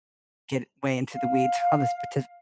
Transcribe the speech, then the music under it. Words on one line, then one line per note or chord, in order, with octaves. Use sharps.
get way into the weeds on the spetif
F5